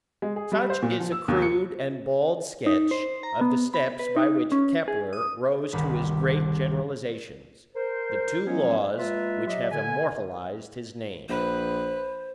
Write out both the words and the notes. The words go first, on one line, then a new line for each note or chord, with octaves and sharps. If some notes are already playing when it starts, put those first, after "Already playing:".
Such is a crude and bald sketch of the steps by which Kepler rose to his great generalizations--the two laws which have immortalized his name.
G#3
G#4
G3
C5
A#2
F3
E6
D#2
C#7
D#4
C5
A#5
B3
B5
B4
D#4
C#4
G#4
D#6
G1 C2 D#3 B5
A#4 C5
F3 F#3 G#3 B3 C#4
G#3 A#3 F4 B4 E5
F#3 G4 D#5 E5
D3 G#5
A#1 B4 C5